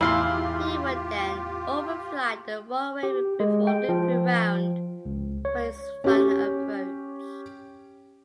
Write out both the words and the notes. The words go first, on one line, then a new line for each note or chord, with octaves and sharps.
He would then overfly the runway before looping round for his final approach.
E2 A2 C#3 E4 F4 G4 F5 C6
G4
G#3
G5
F3
C#2
C#5
C#4 G4